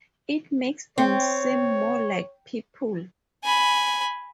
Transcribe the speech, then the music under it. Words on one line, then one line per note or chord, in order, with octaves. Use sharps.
It makes them seem more like people.
C4 C#5
G#5 B5